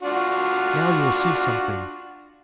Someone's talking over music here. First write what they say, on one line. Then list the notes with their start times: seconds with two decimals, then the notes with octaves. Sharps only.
Now you will see something.
0.02 D4 F4 F#4